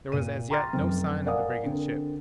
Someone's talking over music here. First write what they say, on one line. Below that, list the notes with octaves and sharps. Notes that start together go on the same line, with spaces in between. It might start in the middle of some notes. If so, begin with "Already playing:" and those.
There was as yet no sign of the brigand ship.
A#2 D#7
G5 A#5 C6 D6 F6 A6
F1 F#2 C4 C5
A#4 D5 F5 F#5 G#5 D#6
D3 C4 A#4